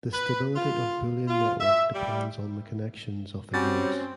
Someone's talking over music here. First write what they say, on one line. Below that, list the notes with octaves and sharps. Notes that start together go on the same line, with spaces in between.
The stability of Boolean network depends on the connections of their nodes.
B4
F4
F4
E5
G3
G3 C4 C#4 F#4 A6